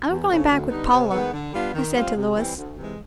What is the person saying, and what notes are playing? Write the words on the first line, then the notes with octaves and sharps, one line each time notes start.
"I'm going back with Paula," I said to Louis.
E2
C#3 F3 A3
D2
D3 G3 B3 D#4
C3
D#3 G#3 B3
D3
G3 B3 D4 F4
D#3
G3 C4 F4
C3
E3 G3 C4
D2
C3 E3 G#3